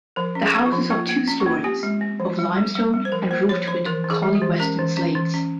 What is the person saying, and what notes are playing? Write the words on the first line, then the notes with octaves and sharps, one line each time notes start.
The house is of two stories, of limestone and roofed with Collyweston slates.
F3 A#4
C#4
G#4
A#3
F4
F3
A#3 F4
A#3
C#4
F4
A#3
C4 G4
G#3
C4
F3
G3
G3
G3
G3
C5
F3 A#4
A#3 C5
F3 C#5
F3 C5
E3 A#4
E3
G#4
G#3
G4
E3
C#4 A#4
E3
C#4
E3
C#4